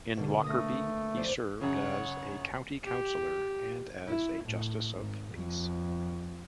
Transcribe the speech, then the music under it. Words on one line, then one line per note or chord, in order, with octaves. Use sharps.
In Lockerbie, he served as a County Councillor and as a Justice of Peace.
B2 D3 A#3
A3 D#6 A#6
F1 C5 D5
F#2 C#3 C#5 F#5
G4
E4
A2
G#1
F2